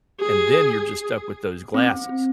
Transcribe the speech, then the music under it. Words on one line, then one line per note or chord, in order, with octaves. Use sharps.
And then you're just stuck with those glasses
G#4
C4